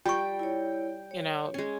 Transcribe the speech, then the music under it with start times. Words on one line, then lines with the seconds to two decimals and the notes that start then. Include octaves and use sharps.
You know?
0.06 G3 F4 G5 C#6
0.39 E4 C#5
1.11 C#5
1.54 G#3 C#4